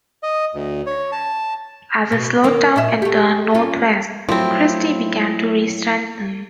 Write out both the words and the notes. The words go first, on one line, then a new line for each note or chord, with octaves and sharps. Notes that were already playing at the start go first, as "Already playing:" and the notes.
As it slowed down and turned northwest, Kristy began to restrengthen.
D#5
D2
C#5
A5
B2
D#3 A#3 F4
A#2 D#5 E5
A3 G4
G3 C#4 F4
A2 F3 F#3 C4 E4